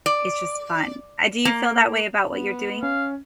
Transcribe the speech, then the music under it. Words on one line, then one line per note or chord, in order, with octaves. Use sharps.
it's just fun. I Do you feel that way about what you're doing?
D5
A#3
B3
C#4 F5